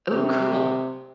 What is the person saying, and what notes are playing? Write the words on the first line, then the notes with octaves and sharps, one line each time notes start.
Ooh, cool.
C3